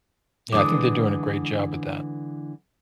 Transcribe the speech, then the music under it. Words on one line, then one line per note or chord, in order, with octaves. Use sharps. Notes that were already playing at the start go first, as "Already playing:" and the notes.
Yeah, I think they're doing a great job with that
D3 E3 G#3 D6 D#6